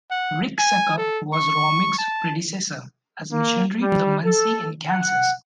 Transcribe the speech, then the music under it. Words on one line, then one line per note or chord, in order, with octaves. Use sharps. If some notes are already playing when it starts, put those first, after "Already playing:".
Ricksecker was Romig's predecessor as missionary to the Munsee in Kansas.
F#5
G#5
A4
C#6
A5
A#3
G3
A4
F#5